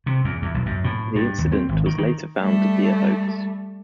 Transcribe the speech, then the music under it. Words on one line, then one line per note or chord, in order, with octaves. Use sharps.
The incident was later found to be a hoax.
C3
E2
E2
B1
F#2
A2
G2
D#2
C4
G#1
D#3
D#3
G3 A3